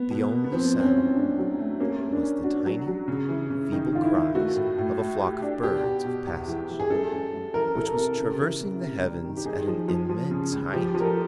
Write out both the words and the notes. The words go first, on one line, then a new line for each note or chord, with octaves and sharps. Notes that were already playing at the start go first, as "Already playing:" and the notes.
The only sound was the tiny, feeble cries of a flock of birds of passage, which was traversing the heavens at an immense height.
Already playing: B3
B2
A#3
B3
F3 C4
F#2
C4
C#4
F#2
A3 D4
F#3
A3
A#3 C#4
A#3
D4
C#4
D4 F#4
F#3
F#3
C#3
E3
C#3
D#3 D#4
D#3 F4
E4
D#3
A3 F#4
A2
A2
A3
G4
D4
B2 G4
B2
B2
E2
E3
E3
G#4
F#2 A4
F#2
F#2
E3 A#4
E3 A4
A#4
C3
C#3
E3
C#3
C3
G3
D#3
G4
D#4 G#4
F3
F3
F3
C#3
C#2
F3 G4
F3
A#4
A4